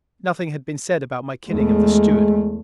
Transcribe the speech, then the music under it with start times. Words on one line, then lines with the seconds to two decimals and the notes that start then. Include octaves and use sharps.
Nothing had been said about my killing of the steward.
1.49 E2 G#3 A3